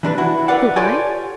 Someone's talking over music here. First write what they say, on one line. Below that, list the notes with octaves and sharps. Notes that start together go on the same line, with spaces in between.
"Who, I?"
E3 D4 A#4 B4
E4 F#4
A#4 B4 D5 F5 F#5
F4 G4 A4 C#5 D5 G#5